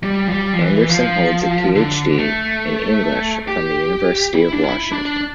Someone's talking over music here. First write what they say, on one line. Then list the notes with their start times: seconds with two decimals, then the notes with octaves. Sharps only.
Anderson holds a Ph.D. in English from the University of Washington.
0.03 G3
0.27 F3
0.32 G3
0.53 F3
0.61 E3
0.89 F3
1.75 D3
2.18 A3
3.48 G4
4.34 E4
4.53 D4
4.63 E4
4.92 D4